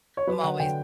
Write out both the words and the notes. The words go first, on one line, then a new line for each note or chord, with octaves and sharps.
I'm always
C#5
F#3 B4
D3 F#5
D3 G5